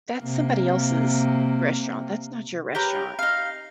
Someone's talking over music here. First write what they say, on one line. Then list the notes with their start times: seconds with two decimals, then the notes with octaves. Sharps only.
that's somebody else's restaurant, that's not your restaurant.
0.19 C3 A#3
2.75 G4 A#4 B4 C#5
3.19 D#4 F5